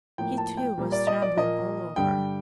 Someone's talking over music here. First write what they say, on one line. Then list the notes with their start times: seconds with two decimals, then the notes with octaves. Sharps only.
He too was trembling all over.
0.18 A2 F3 A#3 G5
0.38 A5
0.57 G5
0.78 A#2 G3 A#3
0.92 D5
1.07 D#5
1.22 D5
1.37 A#2 F3 A#3 D#5
1.96 G2 D3 G3 G5